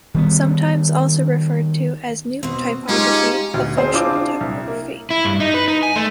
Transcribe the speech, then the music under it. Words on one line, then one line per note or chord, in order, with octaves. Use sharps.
Sometimes also referred to as "New Typography" of "Functional Typography".
D#3 G3 B3
B2 C4
G#3 C#4 D#4 F4 G4 C5
D2 B2
C4 G#4 C5
C4 D4 F4 G#4 D6
D4 F4
C2
A#3
E4
G2
D#4
B4
D#4
G#5
A3